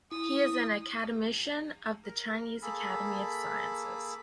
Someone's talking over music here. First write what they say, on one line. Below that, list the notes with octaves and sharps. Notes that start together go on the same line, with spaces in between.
He is an academician of the Chinese Academy of Sciences.
E4 D#6
A#4
A#3 G#4 A4 B5